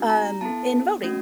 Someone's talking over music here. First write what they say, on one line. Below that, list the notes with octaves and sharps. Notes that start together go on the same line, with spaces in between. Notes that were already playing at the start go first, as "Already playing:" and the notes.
um, in voting.
Already playing: A3 C4 D#4 F#4
A#5
B3 E4 A4 A5
A3 C#4 F#4